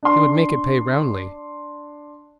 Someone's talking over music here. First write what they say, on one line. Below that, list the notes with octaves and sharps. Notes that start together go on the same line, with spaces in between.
He would make it pay roundly.
D4 C6